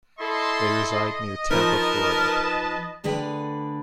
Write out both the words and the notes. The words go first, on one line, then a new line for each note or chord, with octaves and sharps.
They reside near Tampa, Florida.
E4 A4 D#5 C6
F3 D#4 A#4 B4 A5
D2 D3 G#4 B4 D5 G5